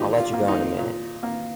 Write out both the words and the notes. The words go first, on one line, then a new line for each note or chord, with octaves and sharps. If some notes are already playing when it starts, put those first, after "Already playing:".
I'll let you go in a minute.
Already playing: A#2 D#4 G4
F4
A#3
D#4
A#2
A#3